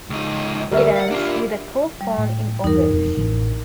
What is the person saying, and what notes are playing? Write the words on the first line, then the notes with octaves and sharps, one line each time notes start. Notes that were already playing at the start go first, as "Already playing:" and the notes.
It ends with a colophon in Old Irish.
C#2 D#4
D2 G3 A#4 E5
F5 F#5
D4 F4
G3
A2
E2 G2 D#4 A#4
E1 F2
A1 D#3 E3